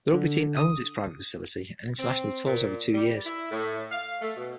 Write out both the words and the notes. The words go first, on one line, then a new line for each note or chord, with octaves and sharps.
The rugby team owns its private facility and internationally tours every two years.
D3
D#6
C4
A#2
G3
E4
A2
F5
A3
B2